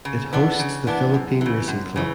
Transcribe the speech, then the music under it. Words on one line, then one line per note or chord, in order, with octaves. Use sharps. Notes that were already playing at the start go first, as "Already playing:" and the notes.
It hosts the Philippine Racing Club.
C#3
E3 B3 D4
C#3
E3 B3 D4
F#2
C#3 E3
F#2
C#3 E3